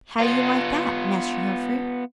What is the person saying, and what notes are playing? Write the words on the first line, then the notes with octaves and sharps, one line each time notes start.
How you like that, Master Humphrey?
B3 F4